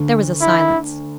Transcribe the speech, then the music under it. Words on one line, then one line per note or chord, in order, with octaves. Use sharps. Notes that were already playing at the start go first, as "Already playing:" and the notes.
There was a silence.
Already playing: D2 D3
E4